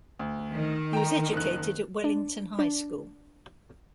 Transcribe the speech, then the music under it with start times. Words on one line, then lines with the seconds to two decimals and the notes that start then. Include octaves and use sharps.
He was educated at Wellington High School.
0.19 D2
0.53 D#3
0.93 G5 A#5
1.33 F#1 F#6
2.04 D4
2.59 D4